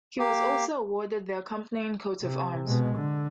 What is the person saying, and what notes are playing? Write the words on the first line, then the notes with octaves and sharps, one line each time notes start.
He was also awarded the accompanying coat of arms.
A#3 G4
C3
B2 G#3
D3